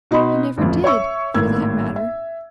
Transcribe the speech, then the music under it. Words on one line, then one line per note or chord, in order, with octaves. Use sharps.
He never did, for that matter.
B2 D#4 F#4 B5 C6
A1 F2
C#5 E5 C#6 E6
G#1 A2 A#3 E6 G#6
E5